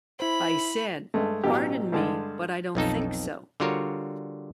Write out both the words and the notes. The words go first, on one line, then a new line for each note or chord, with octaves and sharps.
I said 'Pardon me, but I don't think so.
E4 C5 B5
G2 G#3 A3
A1 B2 F#3 G4
G2 D3 G#3 A5
B1 F2 D#4 A4
D3 G3 F4 F#4 A#4 C#5